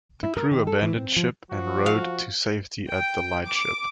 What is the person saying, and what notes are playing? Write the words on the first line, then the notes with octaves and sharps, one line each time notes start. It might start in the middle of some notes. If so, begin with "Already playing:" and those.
The crew abandoned ship and rowed to safety at the lightship.
E4
A#4
D#3
A4
E3
C4
F3
F3 F#4
F5
G5
D6